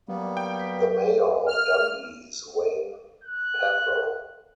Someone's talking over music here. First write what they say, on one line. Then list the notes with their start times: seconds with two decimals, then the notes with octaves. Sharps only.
The mayor of Dundee is Wayne Paplow.
0.08 F#3 G3 A#3 B3
0.37 G5
0.59 B4
1.48 F6
3.24 F#6